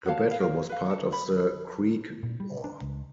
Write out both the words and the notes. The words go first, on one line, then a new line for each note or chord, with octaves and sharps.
The battle was part of the Creek War.
F#4 C#5 F5 A5
E4 F5
A#4 F5
B4 F5
A4
B5
A#2
G3
D4
C#2